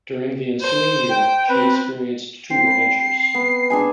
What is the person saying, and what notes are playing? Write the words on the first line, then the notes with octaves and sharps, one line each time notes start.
During the ensuing year, she experienced two adventures.
C5
G5
C4 B4
C4 C7
B5
B3
D4 G#4 G#5